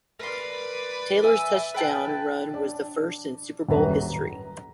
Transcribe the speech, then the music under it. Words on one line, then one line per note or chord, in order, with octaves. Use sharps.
Taylor's touchdown run was the first in Super Bowl history.
A#4 B4 D5 C6
E5 G#5
B4 G5 A5
D4 D5
D#1 F#2 B4 A#5
A#5